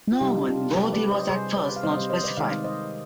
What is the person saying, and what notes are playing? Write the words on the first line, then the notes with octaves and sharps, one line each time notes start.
Norman, "bodhi" was at first not specified.
F4
C3 G3 D#4 G4
D4 F4
C3 G3 G4 B4
B4 D5
C5 D#5
C3 G3 G#4 C5
B4 D5
F5
C3 G3 C5 D#5
C5 D#5
C5 D#5
B4 D5
C3 D#3 G#3 D5 F5
C5 D#5